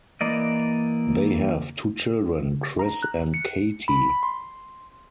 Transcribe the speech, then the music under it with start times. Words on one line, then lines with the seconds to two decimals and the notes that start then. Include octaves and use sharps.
They have two children, Chris and Katie.
0.21 E3 A#3 D5 D#5
2.79 A#5
3.03 F#6
3.34 C#7
3.88 B5
4.23 C6